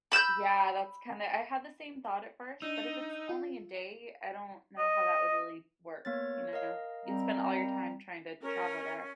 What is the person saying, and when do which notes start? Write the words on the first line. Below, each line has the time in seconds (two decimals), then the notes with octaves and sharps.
Yeah, that's kinda I had the same thought at first, but if it's only a day, I don't know how that would really work, you know? You'd spend all your time trying to travel there.
0.12 B5 E6 F#6 G6
2.62 D4 D#4 E6
3.29 F4
4.78 D#5
6.05 A#3 B3 C#5 A6
6.53 A#4 D#5 F5
7.06 G3 C4 A#5
8.42 C#4 A#4